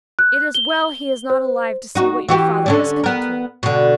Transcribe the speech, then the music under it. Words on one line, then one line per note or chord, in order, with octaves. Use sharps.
It is well he is not alive to see what your father has come to!
F#6
G7
C5
D#4 F#4
E3 F#4 G4
D3 C#4 D4
B3 A#4
B2 D3